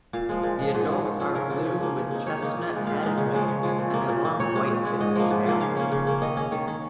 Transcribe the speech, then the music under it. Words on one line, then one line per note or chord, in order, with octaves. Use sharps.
The adults are blue with chestnut head and wings, and a long white-tipped tail.
A#2 F5
F3 G#3
A#2
F3 G#3
G#2 D#5
F3 C#4
G#2
F3 C#4
C#3 A#4
F3 A#3
C#3
F3 A#3
C#3
A#3 D#4
C#3 C#5
A#3 D#4
A#2
G#3 D#4
A#2 F5
G#3 D#4
C#3
F3 G#3 C#4
C#3
F3 G#3 C#4
A#2
A#3 D#4
A#2
A#3 D#4
A#2 C#5
G#3 C#4
A#2
G#3 C#4
G#2 D#5
F3 A#3
G#2
F3 A#3
C#3 F5
A#3 C#4
C#3
A#3 C#4
D#3 D#5
C#4
D#3
C#4